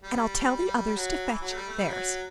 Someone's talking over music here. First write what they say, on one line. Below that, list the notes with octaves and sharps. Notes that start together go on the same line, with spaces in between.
And I'll tell the others to fetch theirs.'
G3
G3
F#3
E3
F#3
A3
G3
A3
G3
F#3